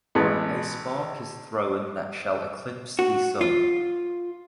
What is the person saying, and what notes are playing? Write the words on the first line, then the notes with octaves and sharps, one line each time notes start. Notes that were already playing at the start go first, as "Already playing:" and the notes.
A spark is thrown that shall eclipse the sun.
A1 G#3 B3
F#4
F4